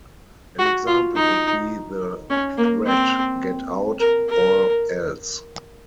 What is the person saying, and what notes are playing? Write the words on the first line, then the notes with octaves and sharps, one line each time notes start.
An example would be the threat Get out, or else-!
F#4
F4
D#4
C#4
A#3
C4
A#4
A#4